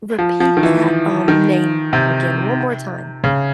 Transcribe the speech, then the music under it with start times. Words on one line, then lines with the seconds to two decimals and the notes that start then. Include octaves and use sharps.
Repeat that, um, name again one more time.
0.19 F3
0.40 F3
0.57 D#3
0.63 E3
1.28 D#3
1.93 C3
3.24 C#3